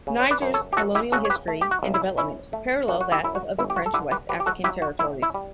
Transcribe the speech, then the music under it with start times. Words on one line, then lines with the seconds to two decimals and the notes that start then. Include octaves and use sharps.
Niger's colonial history and development parallel that of other French West African territories.
0.07 C#3
0.20 C#5
0.31 B4 D5
0.42 F#2
0.54 A4 C#5
0.73 G4
0.77 F#2 F#4 A4
0.95 E4 G4
1.12 C#3 F#4 A4
1.25 C#5
1.30 G4 B4
1.48 A3
1.61 G4
1.71 F#4
1.83 B1
1.94 E4
2.18 C#4 E4
2.53 A3
2.88 F#2 F#4
3.01 F#4
3.12 E4 G4
3.23 F#2 E4
3.35 F#4
3.59 G1 E4
3.70 G4
3.76 F#4
3.86 A4
3.94 D3 E4 G4
4.11 G4 B4
4.29 F#3 G4 B4
4.40 G4
4.46 F#4 A4
4.64 F#3 E4 G4
4.82 F#4
4.99 A2 E4
5.22 E4
5.34 G3